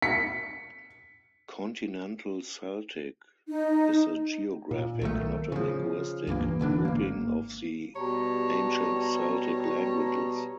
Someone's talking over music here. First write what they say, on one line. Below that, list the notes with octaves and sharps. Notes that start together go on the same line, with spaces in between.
"Continental Celtic" is a geographic, not a linguistic, grouping of the ancient Celtic languages.
B6 C#7
D#4
A#2
B1 D#3 A3
C#3 F3
C#2 G2 E3 A#3
D1 D3 E3 D4
G#1 A#3
B2 G3 G4 C#5 A5 A#5